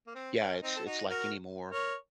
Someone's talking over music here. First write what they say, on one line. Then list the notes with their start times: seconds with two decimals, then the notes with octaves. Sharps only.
yeah, it's it's like anymore
0.07 A#3
0.15 C4
0.38 C#4
0.62 C4 D#4
0.77 A4
0.86 D#4 F#4
1.09 F#4 A#4
1.72 A#4 C#5